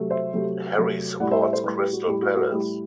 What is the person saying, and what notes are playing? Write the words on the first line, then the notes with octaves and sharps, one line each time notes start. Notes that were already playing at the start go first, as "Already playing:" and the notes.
Harry supports Crystal Palace.
Already playing: C3 F#3 A3
C5 E5
C3 F#3 A3
C3 F#3 A3
A2 G3 D5 F#5
C5 E5
C5 E5
A4 C5
A2 G3 G4 B4
G4 B4
F#4
A2 G3 G4
F#4
F#4
A2 G3 G4